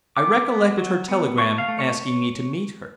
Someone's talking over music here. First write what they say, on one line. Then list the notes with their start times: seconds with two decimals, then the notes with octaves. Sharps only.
I recollected her telegram asking me to meet her.
0.17 B3 D6
0.47 B3
0.78 F#3
1.08 B3
1.38 A3 C#6
1.58 F5
1.68 A3
1.79 C#5